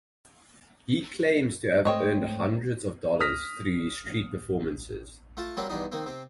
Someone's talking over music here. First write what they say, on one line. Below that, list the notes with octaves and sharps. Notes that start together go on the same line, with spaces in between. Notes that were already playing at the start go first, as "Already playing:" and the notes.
He claims to have earned hundreds of dollars through his street performances.
G#2 A3 C4 C#5 D#5 G5
D#6 F6 A#6 B6
A3 F4 A5
F#3 G3 A#3 C4 D4 F4
E2 G2 D4 D#4
D#3 A#3 C4
C3 C4